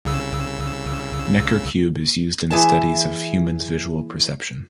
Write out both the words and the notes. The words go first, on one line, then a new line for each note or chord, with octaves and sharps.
Necker cube is used in studies of human's visual perception.
C2 C#3 E6
E3 G#4 E5 G#5 A5